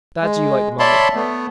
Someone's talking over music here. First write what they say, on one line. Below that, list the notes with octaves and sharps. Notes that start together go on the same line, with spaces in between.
Glad you like the mummy.
G#3
C#5 D5 E5 A5 B5 C6
A3 B3